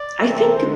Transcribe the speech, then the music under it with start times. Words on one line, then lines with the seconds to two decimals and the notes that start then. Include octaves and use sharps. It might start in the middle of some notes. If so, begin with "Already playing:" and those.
I think,
Already playing: D5
0.21 C3 E3 A3 C4
0.53 D3 G#3 C5